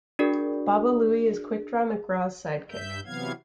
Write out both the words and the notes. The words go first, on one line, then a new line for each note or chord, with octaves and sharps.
Baba Looey is Quick Draw McGraw's sidekick.
D4 F#4 G#4 A#4 D5
G2 E5 G6
C3 E3 F#3 B3 F5 G#6